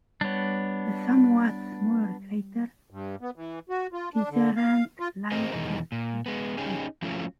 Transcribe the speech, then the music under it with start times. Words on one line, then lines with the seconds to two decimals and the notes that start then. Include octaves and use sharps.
The somewhat smaller crater Tisserand lies just to the east.
0.21 G3 B3 D4 C#5
2.90 G2
3.21 B3
3.36 E3
3.69 F#4
3.93 F4
4.14 D4
4.30 D3
4.56 F5
5.00 F4
5.32 C4 G#4 A#4 C5 D#5
5.53 E2 B2 D#3 E3 G#3 D#4
5.92 A#2
6.26 G#3 B3
6.57 C#4 D#4 G4 G#4
7.02 F3 F#3 A3 C#4 E4 F4